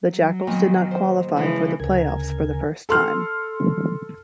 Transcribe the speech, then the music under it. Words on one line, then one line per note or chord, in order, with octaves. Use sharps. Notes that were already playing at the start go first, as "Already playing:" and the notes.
The Jackals did not qualify for the playoffs for the first time.
F#3
A#2 D#3 B3
C5
C#3 E3 F3 G#3
D2 C#3 A#4 G#5
A4 C6 F6